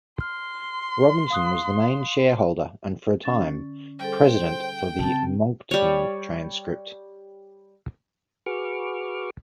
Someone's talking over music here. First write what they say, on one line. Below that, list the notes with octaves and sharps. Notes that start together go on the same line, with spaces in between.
Robinson was the main shareholder and, for a time, president for the "Moncton Transcript".
C6 F6
F5 D#6 F#6
D3 C#4 A6
G3 G#4 A4 C5 G5
C#3 C4 A5
G3 C#5
F#4 G#4 B4 C#6 D6 F6